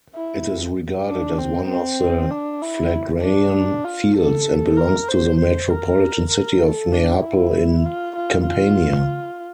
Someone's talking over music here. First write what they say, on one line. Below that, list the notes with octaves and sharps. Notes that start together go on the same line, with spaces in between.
It is regarded as one of the Phlegraean Fields and belongs to the metropolitan city of Neapel in Campania.
E4
D4
C4
C4
D4
E4
D4
F4
A4
A#4
C5
C5
A#4
A#4
A4
D4
E4
F4
F4
F4